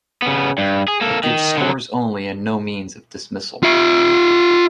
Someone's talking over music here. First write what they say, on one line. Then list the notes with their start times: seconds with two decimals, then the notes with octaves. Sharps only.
It gives scores only and no means of dismissal.
0.22 C#3 B3
0.58 G2
0.88 G#4
1.01 A#3 A4
1.24 D#3
1.57 D3 F#3
3.63 F4 E5